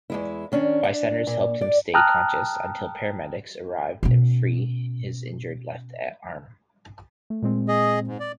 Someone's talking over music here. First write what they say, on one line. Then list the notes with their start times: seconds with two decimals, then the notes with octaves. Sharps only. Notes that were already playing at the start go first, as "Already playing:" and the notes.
Bystanders helped him stay conscious until paramedics arrived and free his injured left arm.
0.10 E2 G#3 E4
0.52 D#3 C#4 D4
0.84 D4
1.27 A#2
1.61 D5
1.94 G5 A5 A#5 D#6 F6 F#6
4.03 B2 C#4
7.30 A3
7.42 A#2 G#3 C4
7.68 G#4 D#5
8.07 G#2
8.20 D5